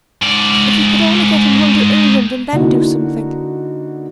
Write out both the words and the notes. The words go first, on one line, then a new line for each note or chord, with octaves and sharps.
If you could only get him home to England, and then do something.
G#2 D5
D3 A#3 D#4 E4 F#4